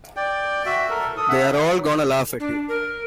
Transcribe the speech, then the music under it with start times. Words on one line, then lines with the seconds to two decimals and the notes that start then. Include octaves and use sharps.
They're All Gonna Laugh at You!
0.16 D5 G5
0.66 F#4 E5
0.90 A4 A#4
1.17 A4 D#6
1.29 E5 F#5
2.40 D4
2.68 A#4